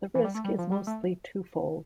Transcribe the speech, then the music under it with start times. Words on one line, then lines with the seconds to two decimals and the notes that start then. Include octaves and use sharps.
The risk is mostly twofold.
0.15 E3
0.24 G3
0.35 A3
0.44 G3
0.58 F3
0.72 G3
0.87 A3